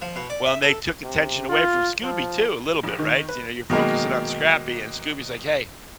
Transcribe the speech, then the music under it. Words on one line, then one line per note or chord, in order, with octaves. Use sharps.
Well, and they took attention away from Scooby too a little bit, right, so you know, you're focusing on Scrappy, and Scooby's like, "Hey,
F3
B2
D5
E5
A4
C3
F4
F3
A#1
D#3
B4
B2 D#3 F#3 G#3 A#3 D#4